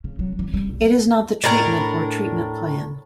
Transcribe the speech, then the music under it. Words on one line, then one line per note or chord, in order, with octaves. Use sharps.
It is not the treatment or treatment plan.
C#3
F#3
E3
G3
B1
A2 D4 A#4 A#5